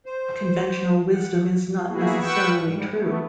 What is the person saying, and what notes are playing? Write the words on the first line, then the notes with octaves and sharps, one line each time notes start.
Conventional wisdom is not necessarily true.
C5
F#5
A#3 B3 E4 F#4 G#4
B4 F#5 G5 C#6 E6
G#2 G3
A3 B3